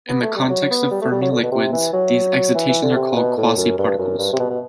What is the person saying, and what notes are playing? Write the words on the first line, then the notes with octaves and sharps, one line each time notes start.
In the context of Fermi liquids, these excitations are called "quasi-particles".
B3
A3
G3
F#3
B3
G3
A3
G3
F#3
D3
B2
C3
E3
F#3
E3
E3
D3
C3
B2
A2
F#2
G2
F#2
G2
C3
B2
B2